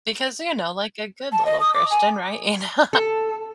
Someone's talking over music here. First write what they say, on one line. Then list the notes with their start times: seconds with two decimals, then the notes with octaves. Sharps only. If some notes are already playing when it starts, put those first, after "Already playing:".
because, you know, like a good little Christian, right? You know?
1.33 A5
1.46 D#5
1.60 D#6
1.75 D6
1.91 G#5
2.93 A4